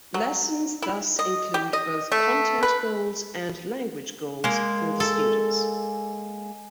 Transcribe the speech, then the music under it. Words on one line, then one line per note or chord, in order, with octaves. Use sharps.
Lessons thus include both content goals and language goals for the students.
F#3
E4
D#5
G4
D#5
A3
B4
G#3 A#3
A4